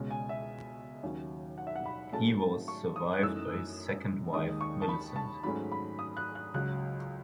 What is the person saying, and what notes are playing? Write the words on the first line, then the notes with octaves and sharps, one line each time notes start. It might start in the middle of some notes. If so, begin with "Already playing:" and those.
He was survived by his second wife, Millicent.
Already playing: C#2 B2 G#3 C#4
G#5
E5
D#2 D#3 F#3 C#4
F#5
E5
F#5
B5
G#2 F#3 A3 C#4 A5
C#6
D#6
F#6
F#2 E3 A3 D#4 E6
D#2 D#3 G#3 D#4 D#6
C#6
A5
B5
A5
G#2 F#3 A3 C#4 B5
B5
D#6
F#6
F#6
C#2 C#3 F#3 F#6